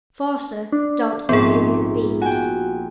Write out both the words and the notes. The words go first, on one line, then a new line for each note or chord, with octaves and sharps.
Faster danced the radiant beams.
D4
A#1 G#2 B3 C4 G#4
F#4 G5 G#5